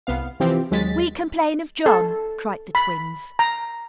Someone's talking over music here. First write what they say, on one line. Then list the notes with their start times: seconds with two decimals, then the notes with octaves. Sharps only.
'We complain of John,' cried the twins.
0.07 C2 B3 F5
0.40 C3 E3 F3 C4 G4
0.71 D#2 F#3 G#3 A6 B6
1.86 A4
2.75 B5
3.39 A#5